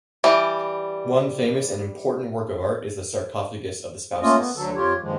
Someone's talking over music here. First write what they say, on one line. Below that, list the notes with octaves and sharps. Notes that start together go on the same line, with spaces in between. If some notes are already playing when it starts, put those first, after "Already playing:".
One famous and important work of art is the Sarcophagus of the Spouses.
E3 G3
A3 A#3 C#4 F4 D#5
B3
D2 D3 F#3 A4
F2 F4 G4 C#5
G2 A#2 D#3 F3 G#3